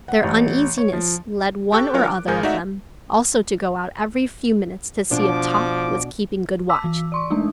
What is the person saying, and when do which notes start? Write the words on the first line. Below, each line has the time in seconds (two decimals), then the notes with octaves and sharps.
Their uneasiness led one or other of them also to go out every few minutes to see if Top was keeping good watch.
0.08 F#5
0.24 A1
0.78 C#5
0.93 F3
1.72 G4 A4 G5 C#6 F#6
1.94 F#3 D4 F4 A#4 C#5
2.07 D6
2.28 G#1 G#3 G#4 A#4 G#5 G6
2.43 A3 D#4 F#4 D5 E5 F#5
5.11 B2 F3 D4 D6
6.69 A5 D6 E6 B6
6.84 E3
7.12 D5 C6 C#6
7.30 G#3 A3 D4 D#4